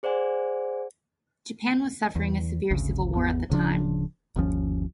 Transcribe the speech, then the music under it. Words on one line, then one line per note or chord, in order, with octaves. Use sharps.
Japan was suffering a severe civil war at the time.
G#4 C5 D5 F#5 G#5
E2
G#1 D2 C#3
G#1 E2 B3
D1 C#3 F3 D4
G1 D#2 F3 C#4